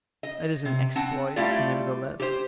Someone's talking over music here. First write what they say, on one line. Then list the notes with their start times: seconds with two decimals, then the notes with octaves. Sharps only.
"It is an exploit, nevertheless."
0.23 D#5
0.65 C3
0.96 C4 F#5 A5
1.36 G3 A3 E4 F4 G4 D5
2.20 G4 C5